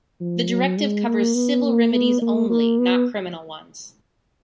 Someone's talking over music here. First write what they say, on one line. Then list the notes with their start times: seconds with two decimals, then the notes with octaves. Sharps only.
The directive covers civil remedies only-not criminal ones.
0.20 F3
0.49 F#3
0.78 G#3
1.07 A#3
1.35 B3
1.64 A#3
1.92 B3
2.22 A#3
2.50 A#3
2.79 B3